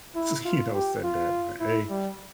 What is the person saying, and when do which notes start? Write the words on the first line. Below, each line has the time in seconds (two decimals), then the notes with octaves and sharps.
s you know, said that." But, hey,
0.15 E4
0.45 F4
0.73 G4
1.03 F4
1.60 E4
1.90 G3